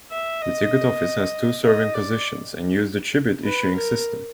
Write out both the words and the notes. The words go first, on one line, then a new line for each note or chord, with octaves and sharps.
The ticket office has two serving positions and uses the Tribute issuing system.
E5
D#5
D#5
D5
B4
A#4